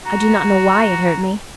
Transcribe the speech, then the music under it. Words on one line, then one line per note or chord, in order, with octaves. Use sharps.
I do not know why it hurt me.
F#4 A#5